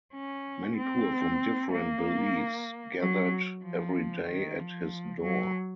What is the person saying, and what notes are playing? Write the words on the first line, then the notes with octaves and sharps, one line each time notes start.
Many poor from different beliefs gathered every day at his door.
C#4
C4
A#3
F#3
F3
D#3
F3
F#3